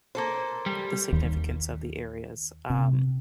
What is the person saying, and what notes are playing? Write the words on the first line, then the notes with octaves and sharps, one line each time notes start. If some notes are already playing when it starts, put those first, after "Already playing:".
the significance of the areas. Um,
A#3 A4 C5
G3
D#2
C3